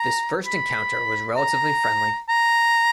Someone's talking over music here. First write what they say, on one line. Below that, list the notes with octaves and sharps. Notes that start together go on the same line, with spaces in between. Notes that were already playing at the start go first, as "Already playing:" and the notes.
This first encounter was relatively friendly.
Already playing: A#5
B5
A#5
A#5